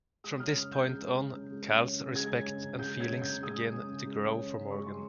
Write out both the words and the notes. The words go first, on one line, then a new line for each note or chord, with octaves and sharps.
From this point on Cal's respect and feelings begin to grow for Morgan.
G#3 D#6
C#4 F6
C#3
C#3 G6
G#3
C#4
C#3
C#3
G#3
C#4
C#3
C#3
G#3 G#6
C#4
C#3
C#3
G#3 G6
C#4
G#6
C#3
G6
C#3
G#3 D#6
C#4
C#3
C#3
G#3
C#4
C#3
C#3
G#3 C#6
C#4 C6